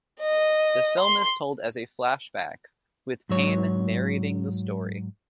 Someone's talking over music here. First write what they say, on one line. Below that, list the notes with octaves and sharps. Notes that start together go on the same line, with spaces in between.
The film is told as a flashback with Payne narrating the story.
D#5
C6
G#2 F#3 C#5